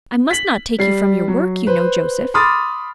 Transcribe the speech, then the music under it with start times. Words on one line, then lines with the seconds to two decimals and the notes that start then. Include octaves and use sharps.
"I must not take you from your work, you know, Joseph."
0.31 B6 F#7
0.79 G3 C7
1.28 F#3
1.67 B4 C5
2.34 B5 C6 D6 D#6 F6 A6